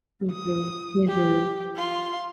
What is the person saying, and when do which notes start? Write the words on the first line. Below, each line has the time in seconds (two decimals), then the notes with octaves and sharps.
Mhm, mhm.
0.31 D#6
1.08 G4
1.76 F4 C6